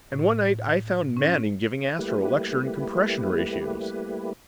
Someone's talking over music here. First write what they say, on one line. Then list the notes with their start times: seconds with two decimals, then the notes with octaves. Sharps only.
And one night I found Manning giving Astro a lecture in compression ratios.
0.12 A2
1.17 C#4
1.99 G3 A3 A#3 E4 G4 B4